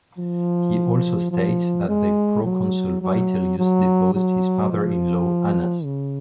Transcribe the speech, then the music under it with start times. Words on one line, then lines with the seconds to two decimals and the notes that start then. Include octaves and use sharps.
He also states that the proconsul Vitellius deposed his father in law, Annas.
0.18 F3
1.31 F3
1.89 G#3
2.45 F#3
3.01 F#3
3.58 F#3
4.15 F#3
4.72 F3
5.84 C#3